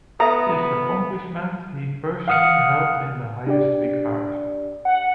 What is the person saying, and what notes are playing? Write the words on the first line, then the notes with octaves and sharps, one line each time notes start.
This accomplishment he personally held in the highest regard.
B3 A4 E5 A#5
F5 F#5 D#6 F6 C#7
D4 G4 D5
F#5